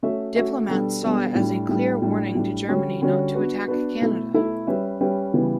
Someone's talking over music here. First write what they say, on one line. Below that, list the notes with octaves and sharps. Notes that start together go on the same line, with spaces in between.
Diplomats saw it as a clear warning to Germany not to attack Canada.
A3 C#4 F#4 C#5 E5
A3 C#4 F#4 C#5 E5
B2 G3 B3 D4 A4
B2 G3 B3 D4 A4
A2 G3 D4
A2 G3 D4
A2 G3 D4
A2 G3 D4
D3 G3 C#4 F#4 C#5
D3 G3 C#4 F#4 C#5
B3 D4 F#4 B4
B3 D4 F#4 B4
B2 A3 E4 A4
B2 A3 E4 A4
G3 C#4 G4 B4 E5
G3 C#4 G4 B4 E5
C#3 E3 G3 B3